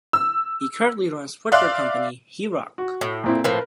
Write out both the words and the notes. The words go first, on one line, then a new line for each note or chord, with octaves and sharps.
He currently runs footwear company, Heroyk.
E6
D5 E5 F5 C6 D6 F#6
F#4
A2
A#2 C4 E4
A2 F3 A#4 B4